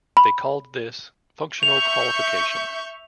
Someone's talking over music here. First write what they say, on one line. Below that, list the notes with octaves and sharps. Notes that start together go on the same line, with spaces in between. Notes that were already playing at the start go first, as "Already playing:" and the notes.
They called this functional qualification.
B5
E5 C#6 G6 F7